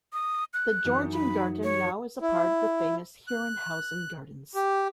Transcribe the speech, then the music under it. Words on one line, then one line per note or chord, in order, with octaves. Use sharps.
The Georgengarten now is a part of the famous Herrenhausen Gardens.
D#6
F#6
F#2 E3 D#4
B5
C#5
E4
F#6
G4